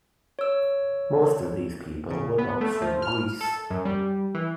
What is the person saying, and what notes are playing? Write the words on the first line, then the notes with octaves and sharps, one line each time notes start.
Most of these people were not from Greece.
C#5 E6
C#3
B3
A3
F3
F6
A4
F#2
G3
E3